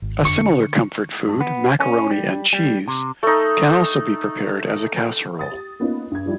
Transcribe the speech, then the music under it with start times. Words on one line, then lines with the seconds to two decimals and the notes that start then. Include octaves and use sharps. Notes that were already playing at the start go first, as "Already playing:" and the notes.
A similar comfort food, macaroni and cheese, can also be prepared as a casserole.
0.02 G#1
0.25 D3 C#6
1.28 G2
1.40 B3
1.80 C#4
2.11 G3
2.53 G3
2.88 C3
3.23 A3 D#4
5.39 D#6 A6
5.52 G4
5.80 A#3 B3 C#4 D#4 F4
6.11 G2 G#6
6.26 F3 G3 D#4 E4